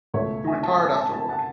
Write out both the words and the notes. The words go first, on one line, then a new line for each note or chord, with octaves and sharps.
He retired afterward.
C#2 B2 A3 C#5 E5
E5 G#5
A5
A5
A5
A5
F#5 A5